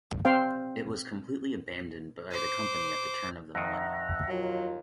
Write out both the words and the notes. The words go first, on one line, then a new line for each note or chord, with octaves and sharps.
It was completely abandoned by the company at the turn of the millennium.
C4 C5 F5 G5
C5 D6
F2 D#3 E5 F#5 A#5
D#2 F#3 F4